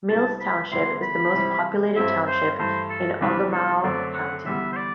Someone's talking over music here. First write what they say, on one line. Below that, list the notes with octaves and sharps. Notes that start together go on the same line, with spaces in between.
Mills Township is the most populated township in Ogemaw County.
C2 C3 G3 A5
B5
E2 D3 G3 B3 E4 C6
B5
C3 E3 G3 C4 E4
G2 F#3 C4 E4 E5
C5
G2 E3 A3 C5
A4
E2 C3 E3 G3 D4 B4
A4
F#2 D3 F#3 A3 C4 D5
F#5
E2 D3 G3 B3 E5
C5
D5